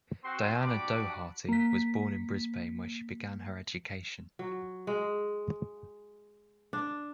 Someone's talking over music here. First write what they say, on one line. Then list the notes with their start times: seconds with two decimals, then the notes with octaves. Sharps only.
Diana Doherty was born in Brisbane, where she began her education.
0.24 C4 F#4 C6
0.61 D4 F#4 G4 B5 D6
1.49 A#3 B6
4.39 F#3
4.87 G#3
6.73 D4